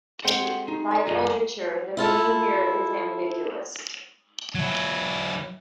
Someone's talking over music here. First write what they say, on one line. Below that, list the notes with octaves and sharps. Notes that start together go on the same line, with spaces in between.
Like "Overture", the meaning here is ambiguous.
G#3 C4 C5 F#5 G5
F#4 G4 A4
D#4 G4 C7
A4 D5 A#5
F#1 G3 F4 G#4 D#5
E4 F4 A4
F#3 E4